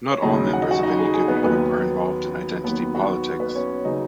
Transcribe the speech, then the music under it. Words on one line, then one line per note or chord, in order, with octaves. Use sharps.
Not all members of any given group are involved in identity politics.
C#5
D#2 C#3 F#3 D#4 D#5
F#5
D#5
F#4 F#5
D#4 D#5
G#4
G#4
B3 B4
D#2 D#3 F#3 B3 B4
D#2 D#3 F#3 B3 B4
F#4
B3 B4
C#4 C#5
C#3 F#3 D#4 D#5